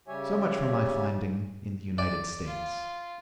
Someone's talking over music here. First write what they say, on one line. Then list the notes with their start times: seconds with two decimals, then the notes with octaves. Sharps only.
So much for my finding in the United States.
0.08 C#3 G3 G4 C#5 E5 G#5
1.98 D5
2.46 F4